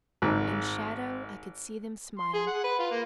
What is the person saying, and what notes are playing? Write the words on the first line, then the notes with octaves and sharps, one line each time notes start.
In shadow, I could see them smile.
G#1
C6
G#4
F#5
B4
F4
A#3